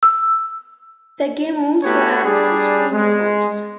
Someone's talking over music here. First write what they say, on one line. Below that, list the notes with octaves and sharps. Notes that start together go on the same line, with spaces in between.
The game also adds three new modes.
E6
A3 B3 F#4 G4 C#5
G3 D4 G#4
G#3